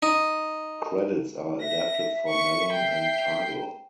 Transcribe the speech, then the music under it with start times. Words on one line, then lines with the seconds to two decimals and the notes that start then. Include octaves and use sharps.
Credits are adapted from Melon and Tidal.
0.03 D#4
1.62 E5 A#6
2.29 C#6 C#7
2.72 G5 C7